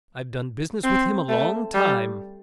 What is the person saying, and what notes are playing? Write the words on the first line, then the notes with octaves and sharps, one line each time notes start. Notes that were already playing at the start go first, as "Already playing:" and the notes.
I've done business with him a long time.
C4
A3
G3